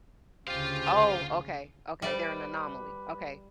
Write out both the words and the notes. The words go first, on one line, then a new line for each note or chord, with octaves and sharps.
Oh, okay, okay. They're an anomaly. Okay.
D2 C#3 F4 G4 C5 F5
G3 B4 C5 D5 E5